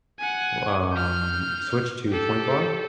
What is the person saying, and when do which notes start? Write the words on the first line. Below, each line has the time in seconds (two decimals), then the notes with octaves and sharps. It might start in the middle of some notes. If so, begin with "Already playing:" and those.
um, switched to point guard,
0.19 F#5 G#5
0.93 F6 G6
2.08 G4 A4